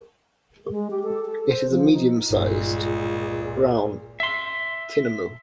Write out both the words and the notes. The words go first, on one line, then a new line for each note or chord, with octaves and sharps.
It is a medium-sized, brown tinamou.
G#3
G4
A4
A4
C5
F3
D#4
G1 C#2 A#2 G#4
E5 C6